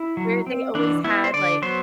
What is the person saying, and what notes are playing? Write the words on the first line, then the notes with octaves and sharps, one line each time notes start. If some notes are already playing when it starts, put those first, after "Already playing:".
Where they always had, like,
Already playing: E4
F#3
C4
E3 D4
B3 E4
C5
D3 D5
F#3 B3 C5